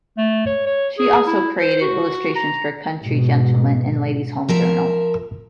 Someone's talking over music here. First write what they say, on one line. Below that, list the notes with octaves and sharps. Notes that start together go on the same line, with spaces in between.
She also created illustrations for "Country Gentleman" and "Ladies' Home Journal".
A3
C#5
C#5
G#4
E4
C5
F#4
A#5
G#2 B2
F3 A#4 E5